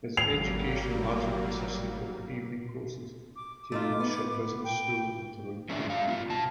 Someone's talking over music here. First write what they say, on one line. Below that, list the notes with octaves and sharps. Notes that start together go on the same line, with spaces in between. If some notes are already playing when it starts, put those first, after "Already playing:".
His education largely consisted of evening courses taken at Shaw Business School in Toronto.
G#1 F#3 G3 A#3 C7 F7
D6
A3 D#4 F4 D6
B3
G5
A3 C#4 D4 G#4 D5 E5
G2 F5
B3 D#4 F4
B2 A5